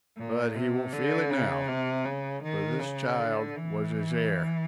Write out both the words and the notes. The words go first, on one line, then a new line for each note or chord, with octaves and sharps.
But he will feel it now, for this child was his heir.
A#2
C3
D3
C#3
C3
C#3
D#3
C#3
D3
E3